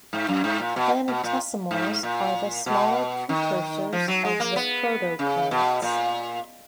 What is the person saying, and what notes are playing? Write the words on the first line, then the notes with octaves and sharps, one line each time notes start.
Planetesimals are the smaller precursors of the protoplanets.
G#2
F#2
G#2
A#2
B2
B2
A#2
G#2
A#2
B2
D#3
F3
F#3
G#3
A#3
B3
C#3
B2
A#2